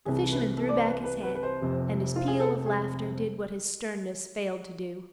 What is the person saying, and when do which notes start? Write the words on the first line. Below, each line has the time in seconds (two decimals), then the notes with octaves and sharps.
The fisherman threw back his head, and his peal of laughter did what his sternness failed to do.
0.05 C2 C3 E3 G#4
0.32 B4
0.57 A4
0.69 D5
0.77 C5
0.84 B4
1.04 B4
1.23 B4
1.35 B4
1.43 C5
1.62 F1 F2 C3
2.16 F4
2.28 G#4
2.40 A4
2.66 G#4